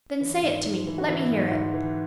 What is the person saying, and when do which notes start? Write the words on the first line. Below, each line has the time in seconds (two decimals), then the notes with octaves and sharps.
"Then say it to me--let me hear it."
0.21 E3
0.43 G#2
0.64 G#2
0.87 E3
0.98 F#4
1.08 E3 E4
1.30 G#2
1.51 G#2
1.74 E3